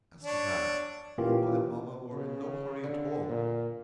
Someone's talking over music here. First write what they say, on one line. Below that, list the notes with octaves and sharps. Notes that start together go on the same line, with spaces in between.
As to that, Papa and Mamma were in no hurry at all.
D4 C#5
A#2 E3 A#3 C#4 F4 G4
C#3
D3
A#2